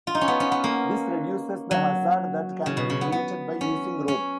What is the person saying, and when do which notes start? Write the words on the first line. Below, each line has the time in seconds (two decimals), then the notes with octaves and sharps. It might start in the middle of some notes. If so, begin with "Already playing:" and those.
This reduces the hazard that can be created by using rope.
0.07 F4
0.15 D#4
0.21 C#4
0.28 B3
0.40 C#4
0.52 B3
0.64 A#3
1.71 F#3
2.66 C#3
2.77 B2
2.90 C#3
3.01 B3
3.12 B3
3.61 C#4
4.08 C#4